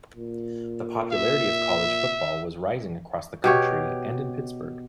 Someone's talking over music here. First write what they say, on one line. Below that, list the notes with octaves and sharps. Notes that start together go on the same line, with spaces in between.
The popularity of college football was rising across the country and in Pittsburgh.
A#2
E5
B2 G4 C#5